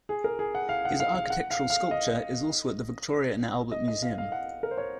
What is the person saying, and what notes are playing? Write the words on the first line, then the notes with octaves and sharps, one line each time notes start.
His architectural sculpture is also at the Victoria and Albert Museum.
G#4
A#4
G#4
F#5
F5
F#5
F5
F5
F#5
F5
F5
D#5
D#5
D#5
F5
F5
F#5
A#4
C5
C#5